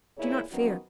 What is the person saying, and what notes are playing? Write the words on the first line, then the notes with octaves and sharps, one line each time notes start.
Do not fear.
E2 A#2 E3 E4 G#4 C#5
D#3 F3 F#3 B3 C#4 F#4